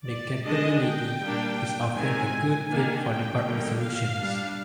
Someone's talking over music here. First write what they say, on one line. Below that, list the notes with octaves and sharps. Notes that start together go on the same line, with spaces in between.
This capability is often a good fit for department solutions.
D5
D3 G#3 D4 D#5
G5
G3 A#3 D4
D#3 G#3 C4 G#5
D#3 A#3 D4 G#5
G5
D3 G3 A#3
F5
G3 D4